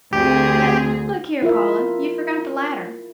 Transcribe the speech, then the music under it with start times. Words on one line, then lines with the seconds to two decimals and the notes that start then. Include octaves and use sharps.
But, look here, Paula, you forgot the ladder.
0.13 D2 C4 G4 G#4
1.42 E4 F4 A#4 E5